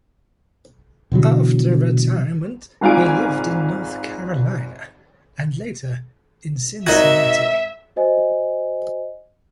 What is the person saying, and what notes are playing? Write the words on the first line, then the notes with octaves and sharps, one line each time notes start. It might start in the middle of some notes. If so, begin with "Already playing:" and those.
After retirement he lived in North Carolina and later in Cincinnati.
B2 D3 E3 F#3
G#1 G#2 F4 G#5 D7
G#1 D#4 F#4 A#4 E5 G#6
F#4 C5 D#5 G#5